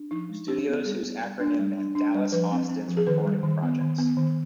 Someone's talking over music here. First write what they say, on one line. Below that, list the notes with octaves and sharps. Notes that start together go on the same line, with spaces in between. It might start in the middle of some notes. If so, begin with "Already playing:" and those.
Studios, whose acronym meant "Dallas Austin's Recording Projects".
Already playing: D4
F3 D#4
G#3
D4 G4
B3
G3 G#4
B3
G3
D4
G3
D4
D4
G3
F3 B4
C4
C4
F3
G#4
D#3 B4
G3
D#3
B3
D#3
B3
D#3